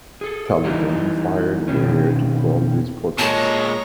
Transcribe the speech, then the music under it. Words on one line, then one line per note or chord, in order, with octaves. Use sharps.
Taliban fired in the air to quell these protests.
G#4 A4
E3 G3 D#4
B2 D#3 C4 C#4
A#2 G#3 C#5 A5 A#5